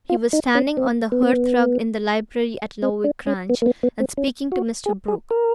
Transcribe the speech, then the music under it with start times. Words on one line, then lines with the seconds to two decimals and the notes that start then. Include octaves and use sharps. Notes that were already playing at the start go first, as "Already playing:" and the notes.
He was standing on the hearth-rug in the library at Lowick Grange, and speaking to Mr. Brooke.
0.09 F4
0.33 D#4
0.55 C#4
0.77 C4
1.12 B3
1.22 C4
1.33 B3
2.82 C4
3.04 D4
3.27 C#4
3.50 B3
3.62 A#3
3.66 B3
3.83 B3
4.00 C4
4.17 C#4
4.52 F#4
4.86 G#4
5.08 G#4
5.31 A#4